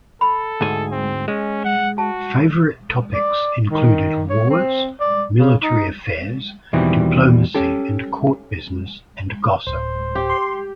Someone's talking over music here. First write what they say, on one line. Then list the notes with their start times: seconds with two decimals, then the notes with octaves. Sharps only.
Favorite topics included wars, military affairs, diplomacy, and court business and gossip.
0.21 A4 B5
0.61 D2 G#2 G#4
0.91 C4
1.28 G#3 C#4
1.64 F#5
1.98 F#4 A5
3.14 D5
3.69 D#3
4.30 C#5
4.49 C4
5.00 D5
5.39 C#3
5.63 D#4
6.73 E2 B2 D#3 E3 G3 C4
7.55 C#4 G4 A4
9.67 D1 C5
10.15 G4
10.30 C6